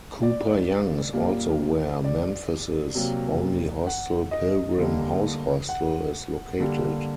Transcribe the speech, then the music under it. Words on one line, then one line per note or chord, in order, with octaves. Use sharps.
Cooper Young is also where Memphis' only hostel, Pilgrim House Hostel, is located.
D5
A#2 G3 A#3
D5
C3 F#3 A#3
F#5
D#5
D3 G3 A#3
F#5
D3 G3 A#3